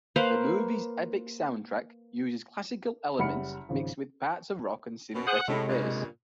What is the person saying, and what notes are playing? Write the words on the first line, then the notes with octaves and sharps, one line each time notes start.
The movie's epic soundtrack uses classical elements mixed with parts of rock and synthetic bass.
A#3 B4 C5 F5
F#1 G3 F#5 B5 F6 C#7
G#1 C#3 F3
F#2 B2
G#4 C5 F#5 D#6
A2 C3 G#3
G2 A#2 C#3